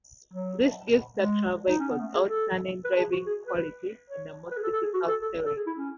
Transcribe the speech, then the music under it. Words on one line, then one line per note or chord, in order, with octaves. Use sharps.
This gives Tatra vehicles outstanding driving qualities in the most difficult terrains.
F#3
G#3
D#4
C#4
B3
A3
G#4
A4
B4
G#4
F#4
G#4
B4
C#5
B4
G#4
A4
A4
G#4
F#4
A4
A4
A4
G#4
E4
C#4